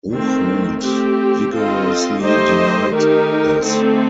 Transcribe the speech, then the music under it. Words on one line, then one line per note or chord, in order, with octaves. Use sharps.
Hochhuth vigorously denied this.
D#3 A3 C4
A3 C4 G4
C4 F4 A4 D#5
A3 D#4 G4 C5 D#5
D#3 A3 D#4 G4 A#4
D3 A3 C4 D#4 A4